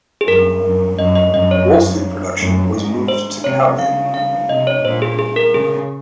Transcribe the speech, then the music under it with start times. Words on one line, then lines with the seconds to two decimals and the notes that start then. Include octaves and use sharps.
Wolseley production was moved to Cowley.
0.21 G#4
0.28 F#2 A#4
0.64 F#2
0.98 F#2 D#5
1.15 D#5
1.33 F#2 D#5
1.51 C#5
2.39 F#2
2.74 G#2
3.08 C5
3.44 C3 C#5
3.79 C#3 F5
4.14 F5
4.49 C3 D#5
4.67 C#5
4.84 A#2 C5
5.02 G#4
5.19 G#4
5.36 A#4
5.54 C#3 G#4